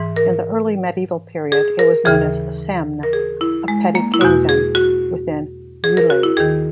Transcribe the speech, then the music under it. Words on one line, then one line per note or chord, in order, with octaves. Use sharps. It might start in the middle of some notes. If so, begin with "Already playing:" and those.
In the early medieval period it was known as Semne, a petty-kingdom within Ulaid.
Already playing: G#2 E3
A#4
G#4
A#4
D#2 C#3 E3 G#4
A#4
G#4
E4
G#3
A#3
E4
E2 B2 F#4
G#4
F#4
G#4
A#4
F#4
E4
D#2 D#3 G#4